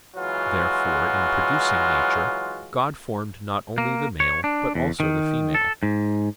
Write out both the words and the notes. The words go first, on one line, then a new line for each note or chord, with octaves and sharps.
Therefore, in producing nature, God formed not only the male but also the female.
E3 F#3 G#3 F4 F#4
A#3
C#5
D4
E2
D#3
A4
G#2